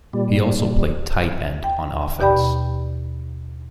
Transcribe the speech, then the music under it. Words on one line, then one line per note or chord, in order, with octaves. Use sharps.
He also played tight end on offense.
A#2 G3
G5
D#2 B2 G4 D5 G5 B5